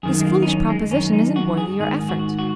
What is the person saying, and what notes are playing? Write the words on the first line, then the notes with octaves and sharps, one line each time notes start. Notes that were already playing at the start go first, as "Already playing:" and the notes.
This foolish proposition isn't worthy your effort.
F#2 D#3 G#4
G#3
A#3
D#4
C#4
G#3
F#2 D#3 C#4
D#4
F#4
G#4
G#2 D#3 G#4
F#4
F#4